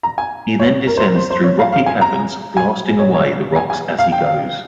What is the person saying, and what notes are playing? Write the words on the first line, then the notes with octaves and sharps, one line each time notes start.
He then descends through rocky caverns blasting away the rocks as he goes.
A#5
G#5
C#5
A#4
C5
A#4
C5
C5
C#5
F5
F5
G#5
A#5
G#5
C#5
C#5
G#5
G#5
F5
G5
F5